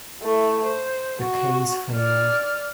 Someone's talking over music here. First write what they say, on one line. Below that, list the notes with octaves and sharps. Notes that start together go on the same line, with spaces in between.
The case failed.
A3 E4
C5
F#4
D5 F6